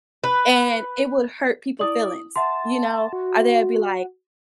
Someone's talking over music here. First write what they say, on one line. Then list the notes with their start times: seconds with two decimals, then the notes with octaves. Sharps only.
and it would hurt people feelings, you know, or they’d be like,
0.24 B4
1.79 E4 D5 D#6 F#7
2.36 E5 F#5 A5 C6
3.13 F#4